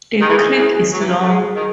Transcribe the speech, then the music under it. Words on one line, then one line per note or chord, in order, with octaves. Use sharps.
The creek is long.
D#3 G#4
E3
D#2 D#3
E2 E3
F#3
E3
F#2 F#3
A3
G#2 G#3 G#4
D#3